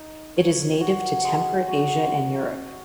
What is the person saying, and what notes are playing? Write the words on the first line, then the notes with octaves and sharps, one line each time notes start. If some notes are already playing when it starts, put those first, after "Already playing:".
It is native to temperate Asia and Europe.
Already playing: D#4
C#5
F#4
G#3
F#4